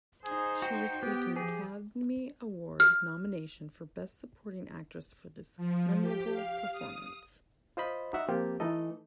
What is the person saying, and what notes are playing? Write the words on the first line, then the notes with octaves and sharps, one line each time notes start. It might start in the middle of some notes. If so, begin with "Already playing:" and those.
She received an Academy Award nomination for Best Supporting Actress for this memorable performance.
D#4 G#4 C5
F#4 G5
B3 G4
F3 G4 G#4
F6
F3
G4
F5
D#6
F4 C5 D#5 B5
D#4 F#4 E5 F#5
F3 A#3 C4 F4 G4
E3 A3 D#4 A4 D#5